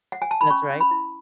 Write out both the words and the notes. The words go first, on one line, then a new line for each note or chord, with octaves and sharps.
That's right.
F#5
G#5
A5
B5
C#4 C#6
C#4
B5
E4